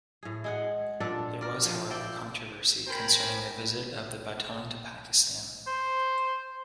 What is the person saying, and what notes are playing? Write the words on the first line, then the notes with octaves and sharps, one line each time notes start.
There was however controversy concerning the visit of the Baton to Pakistan.
A2 G#4
G#3 G#4 F#5
A#2 D4 A4 D5
A#4 D5
F3
A#3 D5 E5 G5
A#4 C5 G5 G#5 A#5 B5
C5